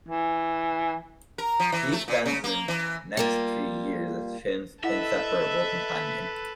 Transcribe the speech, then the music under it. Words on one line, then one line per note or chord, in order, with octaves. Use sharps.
She spends her next three years as Fynn's inseparable companion.
E3
A#4
F3
E3
A3
A#2
C#3
A#3
E3
G3 A#3 F4
E4 A4 B4 D#5 E5 F#5